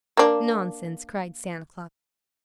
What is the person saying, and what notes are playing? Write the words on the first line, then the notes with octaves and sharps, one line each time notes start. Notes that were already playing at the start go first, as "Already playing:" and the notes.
"Nonsense!" cried Santa Claus.
A#3 D4